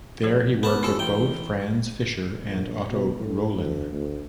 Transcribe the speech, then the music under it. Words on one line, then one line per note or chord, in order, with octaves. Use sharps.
There he worked with both Franz Fischer and Otto Roelen.
F3 G#4 C5
B3 A#4 A5
C#4 E4 F#4 G4 A4
A1 G5
A#1
B2
A2
D2
D2